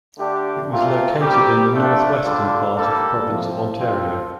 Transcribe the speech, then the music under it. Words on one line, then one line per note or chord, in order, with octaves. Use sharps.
It was located in the northwestern part of the province of Ontario.
D3 A3 D4 G4
A#2 A3 C4 F4
D#3 G3 C4 G4
F3 A3 D4 A4
D3 G3 D4 F4 A4
D3 G3 A#3 D4 A4
F2 C3 F3 C4
F3 C4 F4